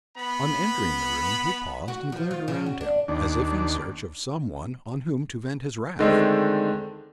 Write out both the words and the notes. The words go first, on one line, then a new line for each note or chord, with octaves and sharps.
On entering the room, he paused and glared around him, as if in search of some one on whom to vent his wrath.
B3 B5
F#4
F3
F4
C#3
F#4
D4
D#2 D4
D3 D#3 G#3 A3 C4 D4